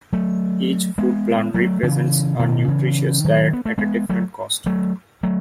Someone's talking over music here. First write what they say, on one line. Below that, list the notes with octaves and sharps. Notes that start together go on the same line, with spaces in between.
Each food plan represents a nutritious diet at a different cost.
F#3 A3
G#3 B3
F#3 A3
C#3 E3
B2 D#3
C#3 E3
D#3 F#3
B3
A3
G#3 B3
F#3 A3
F#3 A3
F#3 A3